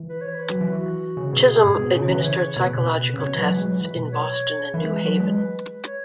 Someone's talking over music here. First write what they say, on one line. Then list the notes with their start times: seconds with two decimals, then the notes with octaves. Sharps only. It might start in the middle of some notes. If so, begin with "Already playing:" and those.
Chisholm administered psychological tests in Boston and New Haven.
Already playing: E3
0.09 B4
0.21 C#5
0.34 B4
0.50 F#3
0.61 E3
0.71 F#4
1.17 C#3
1.33 B2 G#4
1.64 G#2
1.79 B2
1.94 C#3 G#4
2.08 E3 B4
2.19 C#3
2.25 C#5
2.41 C#5
2.56 B2 B4
2.67 C#3
2.77 B2
3.13 C#3
3.18 B2 C#5
3.35 E3 F#3 B4
3.50 G#3
3.65 F#3
3.80 E3
3.96 B2
4.12 C#5
4.74 E3 B4
4.84 G#3
5.05 F#3
5.20 G#3
5.36 B4
5.86 C#5